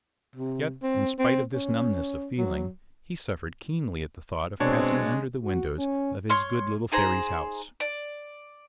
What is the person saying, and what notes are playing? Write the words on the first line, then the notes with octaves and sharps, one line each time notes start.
Yet, in spite of this numbness of feeling, he suffered keenly at the thought of passing under the windows of his good little Fairy's house.
C3
C4
C4
C#4
F#3
B2 G#3 C4 D4 C#5
F#4
C#4
C#5 C6 F6
D#4 G#4 C5 A#5
D5